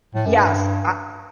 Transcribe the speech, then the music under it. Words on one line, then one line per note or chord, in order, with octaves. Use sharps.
Yes, I
A2
F#2
G2